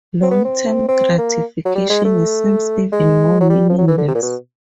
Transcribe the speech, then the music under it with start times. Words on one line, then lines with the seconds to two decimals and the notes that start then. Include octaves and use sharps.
Long-term gratification seems even more meaningless.
0.23 C4
0.31 B3
0.45 C4
0.88 C4
1.18 A#3
1.65 F#3
1.75 G3
1.90 G#3
2.05 A3
2.92 G#3
3.41 F#3
3.49 G3
3.70 F3
3.78 F#3
3.88 E3
3.98 D3
4.08 C3
4.15 A#2
4.22 B2